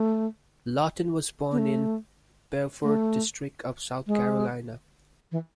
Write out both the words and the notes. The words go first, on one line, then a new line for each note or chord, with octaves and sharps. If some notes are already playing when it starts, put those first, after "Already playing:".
Lawton was born in the Beaufort District of South Carolina.
Already playing: A3
B3
A3
A3
G#3
E3